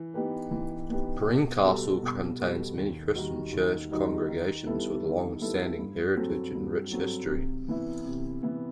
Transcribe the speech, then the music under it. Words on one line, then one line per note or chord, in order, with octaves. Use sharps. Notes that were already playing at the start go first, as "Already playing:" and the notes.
Greencastle contains many Christian church congregations with longstanding heritage and rich history.
Already playing: E3
B3 D#4 G4 B4
E3
B3 D#4 G4 B4
B2
G3 B3 F#4 A4
B2
G3 B3 F#4 A4
D#2
D#3 G3 D#4 F#4
D#2
D#3 G3 D#4 F#4
D#3
G3 B3 E4 A4
D#3
G3 B3 E4 A4
G2
F#3 C4 F#4 A4
G2
F#3 C4 F#4 A4
C3
E3 B3 E4
C3
E3 B3 E4